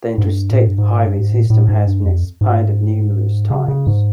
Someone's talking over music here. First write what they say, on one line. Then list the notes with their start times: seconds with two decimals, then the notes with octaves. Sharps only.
The Interstate Highway system has been expanded numerous times.
0.18 G#2
0.23 G2
0.51 A2
0.67 G2
0.78 G#2
1.06 G2
1.19 G#2
1.32 A2
1.50 A2
1.68 G#2
1.87 G2
2.05 F2
2.41 G#2
3.50 C#3
3.68 C#3
3.87 G#2